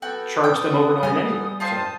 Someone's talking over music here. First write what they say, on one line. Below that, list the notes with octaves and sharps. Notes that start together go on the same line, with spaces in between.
charge them overnight anyway, so
B3 F#4 A4 G5
G5 D#6
G3 G#5 F6
F4 G4 C5 A5 D#6